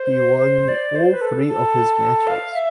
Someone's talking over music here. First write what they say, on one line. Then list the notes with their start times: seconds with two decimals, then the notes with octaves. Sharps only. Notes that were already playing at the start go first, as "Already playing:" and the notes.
He won all three of his matches.
Already playing: C5
0.68 D5
0.95 C5
1.13 B4
1.21 A4
1.48 A4
2.27 F5
2.54 E5